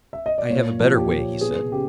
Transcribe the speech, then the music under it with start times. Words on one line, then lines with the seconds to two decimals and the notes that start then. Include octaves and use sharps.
"I have a better way," he said.
0.13 E5
0.26 D#5
0.38 D5
0.50 A#2 C#5
0.80 F3
0.96 G4
1.11 A#2
1.41 B3 G#4
1.72 C#3 G4